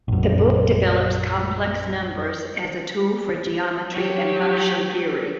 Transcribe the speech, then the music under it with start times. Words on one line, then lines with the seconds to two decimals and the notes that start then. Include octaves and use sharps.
The book develops complex numbers as a tool for geometry and function theory.
0.08 A#1 F#2
3.91 F#3 G4